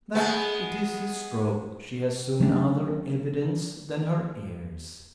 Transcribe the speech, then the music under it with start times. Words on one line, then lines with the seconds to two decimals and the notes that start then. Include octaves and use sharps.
That it is his stroke she has soon other evidence than her ears.
0.15 G#3 B3
2.40 F#3 A3 C4 D4